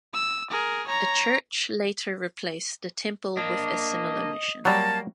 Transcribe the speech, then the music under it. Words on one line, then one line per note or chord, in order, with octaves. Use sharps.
A church later replaced the temple with a similar mission.
E6
G#4 A#4
C#5 A#5
A#3 D4 D#5
F#3 G3 A#3 A5